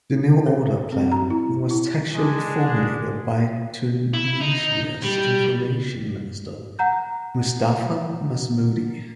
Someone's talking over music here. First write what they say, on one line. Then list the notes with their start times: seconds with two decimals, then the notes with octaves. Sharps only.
The 'new order' plan was textually formulated by Tunisia's Information Minister Mustapha Masmoudi.
0.46 A4
0.92 C4
1.12 A#5
1.30 E4
1.71 E4
2.14 G#3 D4
4.14 E4
4.41 D#4
5.03 G3
6.79 F#5 A#5 G6